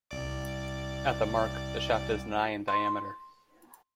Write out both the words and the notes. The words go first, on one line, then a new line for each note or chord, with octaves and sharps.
At the mark, the shaft is nigh in diameter.
C2 D5 D6
C6